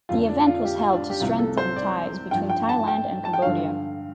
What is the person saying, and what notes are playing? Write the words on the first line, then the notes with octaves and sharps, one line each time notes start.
The event was held to strengthen ties between Thailand and Cambodia.
F2 D3 F3 F4
D4
F4
G4
F4
D4
G4
C2 C3 F3 F4
A4
C5
D5
G2 F3 G5
G5
A5
G5
A5
G5
G2 D3 F3 F5